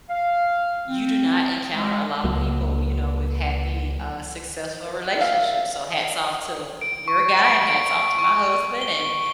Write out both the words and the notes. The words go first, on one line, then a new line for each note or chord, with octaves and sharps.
you do not encounter a lotta people, you know, with happy, uh, successful relationships, so hats off to your guy and hats off to my husband, and
F5
C4
G#3
C#2 F#3 A#3
D5 E5 F5
D7
C#6
D7
D7
C#6
G7